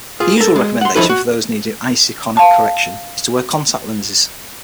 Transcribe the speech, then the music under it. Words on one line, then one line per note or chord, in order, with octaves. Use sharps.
The usual recommendation for those needing iseikonic correction is to wear contact lenses.
F4 G#4
A4 A#4
G#3
F#5 C6
F3 G#3 D#4 E4 A4 B4
F#4
F5 A5